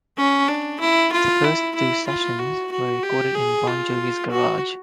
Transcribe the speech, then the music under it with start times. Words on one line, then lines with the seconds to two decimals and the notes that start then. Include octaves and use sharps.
The first two sessions were recorded in Bon Jovi's garage.
0.17 C#4
0.48 D4
0.80 E4
1.13 F4
1.44 E4
1.75 E4
2.08 F4
2.39 F#4
2.72 F#4
3.03 G4
3.35 G#4
3.67 F4
4.31 F#4